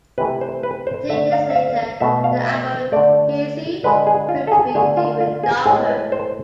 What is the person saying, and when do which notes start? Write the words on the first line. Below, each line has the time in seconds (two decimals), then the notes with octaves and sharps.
Two years later the album "Heresie" proved to be even darker.
0.18 C3 E3 A3 B4
0.41 C5
0.63 B4
0.87 C5
1.09 D3 E5
1.13 A3
1.32 F5
1.50 E5
1.55 F5
2.01 B2 A3 E5
2.24 F5
2.47 E5
2.92 D3 A3 D5
3.84 D3 G#3 B4
4.07 G#4
4.29 F4
4.47 A4
4.52 G#4
4.75 D3 A3 G#4
4.97 F4
5.20 F4
5.43 G#4
5.66 A2 G#4
5.70 G#3
5.89 B4
6.12 C5